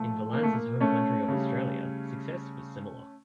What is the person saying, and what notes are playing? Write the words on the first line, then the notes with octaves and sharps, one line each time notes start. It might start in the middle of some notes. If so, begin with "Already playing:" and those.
In Valance's home country of Australia, success was similar.
Already playing: A#2 F3 A3
A#3
A3
A#3
A3 C#4
C#3 G3